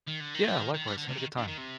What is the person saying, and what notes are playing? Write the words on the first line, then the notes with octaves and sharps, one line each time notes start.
Yeah, likewise, had a good time.
D#3
D3
D#3
F3
D#3
D#3
G3
D3
C3
D#3
D3
D#3
C3